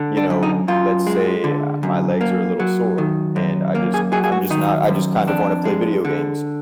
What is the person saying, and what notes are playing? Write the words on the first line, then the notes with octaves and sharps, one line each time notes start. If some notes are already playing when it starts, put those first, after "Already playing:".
you know, let's say I my legs are a little sore, and I just I'm just not I just kind of wanna play video games.
Already playing: D3
D4
F#2
D#4
F#2 F4
G#3
D3
F#2
A#3
F#3
D#3
F#2
A#3
G#4
F#3 G#4
G#4
F#4
D#3 D#4
F#2
F2 D4
G#3
D3